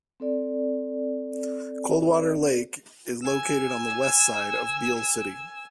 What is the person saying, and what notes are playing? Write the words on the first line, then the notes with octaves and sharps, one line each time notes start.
Coldwater Lake is located on the west side of Beal City.
C4 A4 D5
G#5 E6